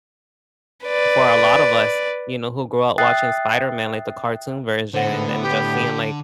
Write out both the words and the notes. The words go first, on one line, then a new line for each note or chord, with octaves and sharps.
for a lot of us, you know, who grew up watching Spider-Man, like the cartoon version, and then just seeing, like,
B4 D5
E5 G5 D#6 F#6 A6 C7
A2 D3 B3 C5 F#5
G4